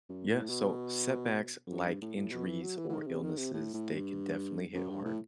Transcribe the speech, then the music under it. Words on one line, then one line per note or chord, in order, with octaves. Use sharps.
Yeah, so setbacks like injuries or illnesses, they can definitely hit hard,
F#2
A2
B2
F#2
G2
A2
A2
B2
E3
F#3
E3
E3
D#3
C3
D#3
C3
A2
A2
G2
F#2
G2
A2